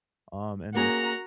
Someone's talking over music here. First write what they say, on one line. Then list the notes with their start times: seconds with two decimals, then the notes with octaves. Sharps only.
um, and
0.74 A#3 C#4 F#4 G#4 A#5